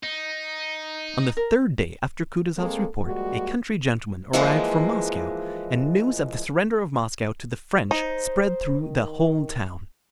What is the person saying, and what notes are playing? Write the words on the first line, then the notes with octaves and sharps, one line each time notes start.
On the third day after Kutuzov's report a country gentleman arrived from Moscow, and news of the surrender of Moscow to the French spread through the whole town.
D#4
A#4
G#3 A#3 C4 A4
F3 G3 G#3 A#3 F#4
E3 F3 G#3 A#3 B4
D#4 C5
D#3